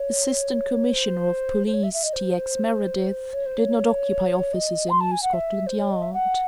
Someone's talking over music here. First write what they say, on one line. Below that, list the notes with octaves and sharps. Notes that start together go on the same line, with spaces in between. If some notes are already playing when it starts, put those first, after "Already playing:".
Assistant Commissioner of Police T. X. Meredith did not occupy offices in New Scotland Yard.
Already playing: C#5
C5
C5
C#5
E5
E5
D#5
C5
C#5
C5
C#5
D#5
C6
A5
G#5
F#5
E5
C5
C#5
D#5
E5
F#5